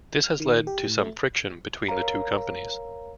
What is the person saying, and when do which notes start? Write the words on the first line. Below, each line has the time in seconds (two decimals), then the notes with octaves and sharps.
This has led to some friction between the two companies.
0.24 F6
0.40 D#3
0.67 G4
0.87 A2
0.99 A3
1.89 A#4 C#5 F5 A#5